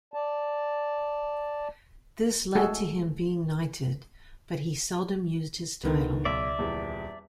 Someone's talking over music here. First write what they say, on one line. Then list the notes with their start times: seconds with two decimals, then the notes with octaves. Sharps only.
This led to him being knighted, but he seldom used his title.
0.14 D5 A5
2.55 G#3 A3 F#4 G#4 A4
5.83 C#2 D3 D#3 B3
6.25 B1 D5 E5
6.59 D#1 E2